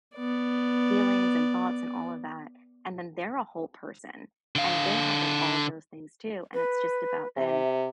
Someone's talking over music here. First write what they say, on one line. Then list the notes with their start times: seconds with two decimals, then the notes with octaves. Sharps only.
feelings and thoughts and all of that. And then they're a whole person and they have, like, all of those things, too, and it's just about then
0.16 B3 D5
4.56 D3 F5
6.54 B4
7.37 C3 E5